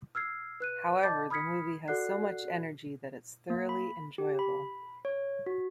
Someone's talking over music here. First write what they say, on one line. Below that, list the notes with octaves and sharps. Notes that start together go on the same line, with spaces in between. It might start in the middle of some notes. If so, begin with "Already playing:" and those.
However, the movie has so much energy that it's thoroughly enjoyable.
E6 F6 G#6 C7
B4 F#6 D#7
D5 D#5 A5 D6 G6 A6
B5 D#6 F6 G#6 B6 C#7
F#4 A4 D5 F#5 F#6 C7
A#3
B5
G4
B5
C#5
F#4